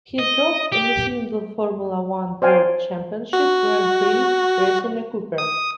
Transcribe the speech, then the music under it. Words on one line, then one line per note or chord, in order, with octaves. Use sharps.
He drove in a single Formula One World Championship Grand Prix, racing a Cooper.
D#5
G4
C5 D5 F5 G5 G#5
F#4
D#6